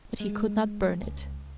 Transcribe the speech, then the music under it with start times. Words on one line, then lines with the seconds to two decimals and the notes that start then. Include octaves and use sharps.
But he could not burn it.
0.20 G#3
1.03 C#2